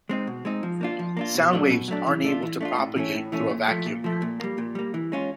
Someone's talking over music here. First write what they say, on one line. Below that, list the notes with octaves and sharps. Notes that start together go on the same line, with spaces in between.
Sound waves aren't able to propagate through a vacuum.
G#3 C4 D#4
B2
G#3 C4 D#4
F3
A#3 D4 F4
F3
A#3 D4 F4
B2
F#3 A3 D4
B2
F#3 A3 D4
E3
A3 D4 F4
E3
A3 D4 F4
A2
E3 A3 C#4
A2
E3 A3 C#4
A#2
F3 A3
A#2
F3 A3
A#2
G3 A#3
A#2
G3 A#3
E3
G#3 C#4 F4